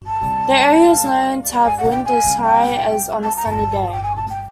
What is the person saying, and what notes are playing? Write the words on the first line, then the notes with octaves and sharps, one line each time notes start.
The area is known to have wind as high as on a sunny day.
A5
G#5
F#5
G5
G#5
G5
A5
A#5
A5
G5
G#5
A5
G5